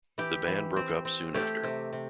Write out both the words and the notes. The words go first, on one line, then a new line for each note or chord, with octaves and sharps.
The band broke up soon after.
E3 G4
E3
C4
C4
A3 G4
C3
C3